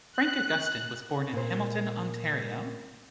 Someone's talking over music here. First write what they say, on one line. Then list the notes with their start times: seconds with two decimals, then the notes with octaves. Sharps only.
Frank Augustyn was born in Hamilton, Ontario.
0.12 F#6
1.33 A#2 C5